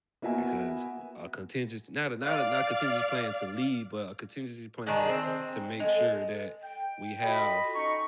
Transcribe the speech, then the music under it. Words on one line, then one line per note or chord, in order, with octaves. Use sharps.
because a contingency not a not a not a contingency plan to leave, but a contingency plan to make sure that we have
A#3 B3 F#4 E5 G#5
D5 F5
D#3 D4 G#4
C4
G#3 A4
G5
F4 F#4 A4 D#5 B5
C#4 D#4 D#5 A#5 C#6